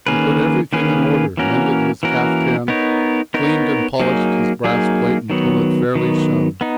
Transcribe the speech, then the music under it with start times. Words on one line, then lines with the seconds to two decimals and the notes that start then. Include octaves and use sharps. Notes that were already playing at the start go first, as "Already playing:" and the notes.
He put everything in order, mended his kaftan, cleaned and polished his brass plate until it fairly shone.
0.07 D#3 A#3 C#4 G#4 B4
0.73 D#3 A#3 C#4 G#4 B4
1.37 E3 A#3 C#4 F#4 A#4
2.03 E3 A#3 C#4 F#4 A#4
2.68 B3 D#4 A#4 C#5
3.34 B3 D#4 A#4 C#5
4.00 F#3 A#3 D#4 G#4
4.64 F#3 A#3 D#4 G#4
5.30 D#3 F#3 B3
5.95 D#3 F#3 B3
6.61 B3 D#4